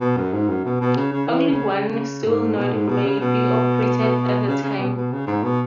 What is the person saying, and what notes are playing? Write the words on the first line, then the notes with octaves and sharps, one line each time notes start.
Only one solenoid may be operated at a time.
B2
F#2
G#2
F#2
B2
B2
C#3
C#3
E3
C#3
C#3
C#3
G#2
B2
G#2
B2
C#3
B2
C#3
C#3
B2
B2
C#3
G#2
B2